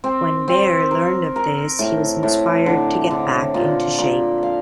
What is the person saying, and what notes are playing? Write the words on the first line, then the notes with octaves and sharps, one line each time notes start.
When Baer learned of this, he was inspired to get back into shape.
C4
C4
A#4
A#4
A2
A2
D3
D3
A#2
A#2
F5